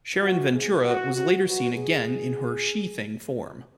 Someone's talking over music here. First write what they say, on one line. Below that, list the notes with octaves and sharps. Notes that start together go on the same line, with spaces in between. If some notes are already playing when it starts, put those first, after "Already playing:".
Sharon Ventura was later seen again in her She-Thing form.
G#2 E3 B3 F#4
G#4
F#4
F#4
B2 F#3 B3 F#4
G#4